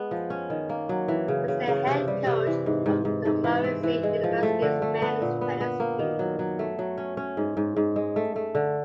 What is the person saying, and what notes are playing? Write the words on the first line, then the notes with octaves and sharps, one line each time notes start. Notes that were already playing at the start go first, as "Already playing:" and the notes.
He is the head coach of the Murray State University men's tennis team.
Already playing: G#3 B3
F3
C#4
D#3
A#3
F#3
E3
C#3
C#3
C#3
C3
G3
C3
E3
G#2
G#2
G#2
G#2
E3
C4
E3
G#3
F3
A3
D3
A3
B3
A#2
B3
B3
A#3
D#3
F#3
F#3
A3
F#3
C#4
C#4
G#2
G#2
G#2
G#3
A3
A3
D3